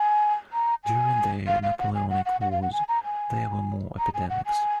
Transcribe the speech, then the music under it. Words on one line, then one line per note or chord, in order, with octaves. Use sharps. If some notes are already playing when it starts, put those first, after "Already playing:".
During the Napoleonic wars there were more epidemics.
Already playing: G#5
A#5
G#5
F5
F5
F#5
G#5
F#5
F#5
F#5
F5
F#5
G#5
A#5
G#5
A#5
G#5
F#5
G#5